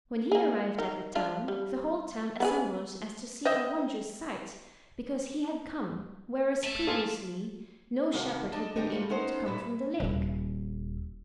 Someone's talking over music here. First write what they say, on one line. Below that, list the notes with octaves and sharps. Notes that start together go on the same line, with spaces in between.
When he arrived at the town, the whole town assembled as to see a wondrous sight because he had come, whereas previously no shepherd had been able to come from the lake.
A#3 G#4
D#4 A#4
D4 F4
G3
B3 F#4 G#4
D#5 E5 G5
A3 E5
F4 G#4 A4
D#2 C3 D#3 F#4 F5
D4 D#5 A5
D#3 G#3 D4 D#4 G4 D#5
G3 A3 F4
B3 C#4 D#4 C5
A#2 B4 E5
D#1 E4